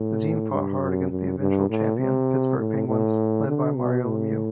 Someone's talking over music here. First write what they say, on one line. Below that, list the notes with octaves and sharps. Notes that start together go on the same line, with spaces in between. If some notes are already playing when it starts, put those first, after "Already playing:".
The team fought hard against the eventual champion Pittsburgh Penguins, led by Mario Lemieux.
Already playing: A2
G2
F#2
F#2
G2
A2
C3
A2
A2
D3
B2
A2